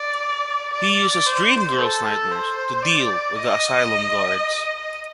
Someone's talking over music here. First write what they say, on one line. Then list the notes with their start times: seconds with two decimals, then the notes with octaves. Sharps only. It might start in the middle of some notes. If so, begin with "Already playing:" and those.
He uses Dream Girl's nightmares to deal with the asylum guards.
Already playing: D5
0.73 D5
1.26 C5
1.78 A4
2.31 C5
2.83 D5
3.35 D#5